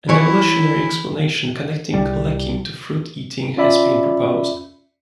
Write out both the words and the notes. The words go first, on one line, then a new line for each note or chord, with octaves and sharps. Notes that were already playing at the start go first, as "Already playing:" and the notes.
An evolutionary explanation connecting lekking to fruit-eating has been proposed.
E3 E4 C#5
C2 G3
C#4 F4 D5 E5 B5